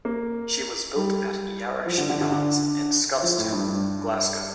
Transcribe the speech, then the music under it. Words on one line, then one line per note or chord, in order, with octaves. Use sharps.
She was built at Yarrow shipyards in Scotstoun, Glasgow.
A#3
G3
F3
D3
D3
D3
D3
F3
A2
G2
G2